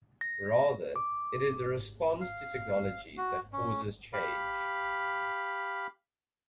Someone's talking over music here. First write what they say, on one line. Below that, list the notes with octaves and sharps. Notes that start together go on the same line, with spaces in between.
Rather, it is the "response" to technology that causes change.
A#6
D6
F5
F#4
C#4
G4 F5 B5